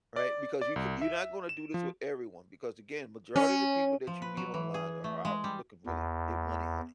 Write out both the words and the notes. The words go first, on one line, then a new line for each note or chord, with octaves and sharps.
Right? Because you ca you're not gonna do this with everyone because, again, majority of the people that you meet online are out looking really they money honey.
D5
D5
C2
E5
E7
F3
C#4
F3
B4
F#3
E3
G#4
A3
G#3
G3
E2